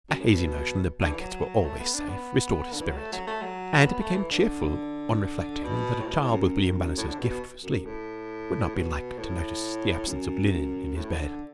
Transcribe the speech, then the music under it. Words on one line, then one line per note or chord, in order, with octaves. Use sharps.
A hazy notion that blankets were always safe restored his spirits, and he became cheerful on reflecting that a child with William Bannister's gift for sleep would not be likely to notice the absence of linen in his bed.
F#2
A2
B2
D3
E3
F#3
A3
B3
D4
B3
D3
E3
F#3
A3
F#3
A3
F#3
B3
A3
E3
D3
B2
A2
B2
A2
F#2
F#2
A2
D3
B2
B2
F#2
A2
B2
A2
F#2
A2
D3